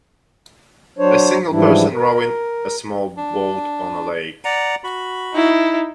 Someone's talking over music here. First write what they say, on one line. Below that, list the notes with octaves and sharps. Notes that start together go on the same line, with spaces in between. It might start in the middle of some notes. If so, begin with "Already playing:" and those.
A single person rowing a small boat on a lake.
F#3 D4 C5 C#5
G#2 E3 F3 G3 D4 E4
A#4
D4
D5 F#5 A#5
F#4 B5
D#4 E4